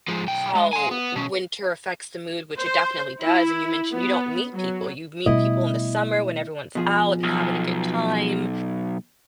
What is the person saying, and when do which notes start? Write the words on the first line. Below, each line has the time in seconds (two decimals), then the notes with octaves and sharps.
how winter affects the mood, which it definitely does, and you mentioned you don't meet people. You meet people in the summer when everyone's out and having a good time.
0.08 F3 G#3
0.27 B1 G5
0.55 G#3
0.73 G#5 C6
0.91 B3
1.16 B2 C#4
2.58 C5
3.22 E4
3.91 B3
4.53 F#3
5.26 B2 G3 A3 E4 D#5
6.75 B2 F3 G#4
7.23 B1